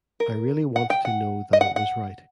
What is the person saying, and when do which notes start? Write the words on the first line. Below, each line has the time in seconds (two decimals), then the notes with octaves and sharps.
I really wanted to know that it was right.
0.20 A#4
0.76 F#5
0.90 G5
1.05 F#5
1.53 D#5
1.61 F#5
1.76 F#5